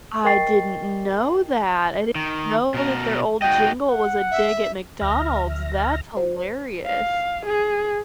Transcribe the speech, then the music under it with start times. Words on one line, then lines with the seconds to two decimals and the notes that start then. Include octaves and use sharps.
I didn't know that. I didn't know that their old jingle was a dig at McDonald's, that's hilarious.
0.25 A#4 D#5 G5 C#6 A6 C7
2.15 D#3
2.74 B2 A#4
3.42 G#2 F#4 D#5 G5
3.89 F#5
4.31 E5
5.01 D2 E5 F6 A#6
6.17 C5
6.86 F5
7.46 G#4